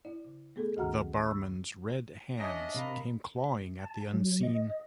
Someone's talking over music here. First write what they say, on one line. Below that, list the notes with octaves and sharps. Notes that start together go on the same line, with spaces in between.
The barman's red hands came clawing at the unseen.
E4 D5
C#3
A3 B3 G#4 A4
D2 D#3 F#4 F#5 A#5 F6
B5 C#6 E6
C#4 D4 D#5 E5 A#6
C3 A#4 F5 B5
A5
F#3
D#5